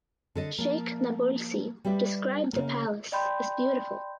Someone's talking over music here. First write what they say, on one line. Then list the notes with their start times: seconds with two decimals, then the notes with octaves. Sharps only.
Sheikh Nabulsi described the palace as beautiful.
0.35 D3 A4 D#5
0.58 F3 A#3
1.85 G3 G4 B4 E5
2.53 C#3 A#3
3.12 D5 D#5 G5 B5 C6 G6